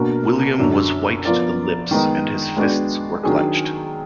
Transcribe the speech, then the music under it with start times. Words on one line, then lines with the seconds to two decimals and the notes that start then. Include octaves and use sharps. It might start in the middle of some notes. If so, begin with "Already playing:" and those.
William was white to the lips, and his fists were clenched.
Already playing: B2 A#3 D4 F#4 A#4
0.59 F#2 D3 F#3 D4
1.25 F3 B3 F4 A#4 D5
1.91 D#3 G#3 B3 D#4
2.57 G#3 B3 D4 F#4 D5
3.23 D#3 F#3 D4 G#4